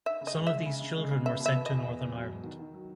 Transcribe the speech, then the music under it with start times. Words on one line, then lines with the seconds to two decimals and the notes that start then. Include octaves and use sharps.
Some of these children were sent to Northern Ireland.
0.06 D#4 E5
0.21 C#3
0.27 D#5
0.36 G#3
0.47 G#3 E5
0.66 C#3
0.81 C#3
0.95 G#3
1.11 C#3
1.26 B3 E5
1.40 B2
1.46 E5
1.55 B3
1.66 E2 D#5
1.85 B3
2.00 E2
2.15 F#3
2.29 B2
2.44 D#3
2.59 D#3
2.74 F#3